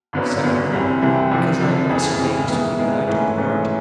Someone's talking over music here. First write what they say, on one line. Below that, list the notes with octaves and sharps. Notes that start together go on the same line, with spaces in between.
Secondly, because I am not so vain as to think that I look the part.
G#1 F#2 D3 F#3 B3
G#1 F#2 D3 F#3 B3
C2 C3 E3 G3 C4
C2 C3 E3 G3 C4
C2 C3 F3
C2 C3 F3
F2 C#3 E3
F2 C#3 E3
D#3 G#3 B3 E4
D#3 G#3 B3 E4
G#2 E3 A3 C#4
G#2 E3 A3 C#4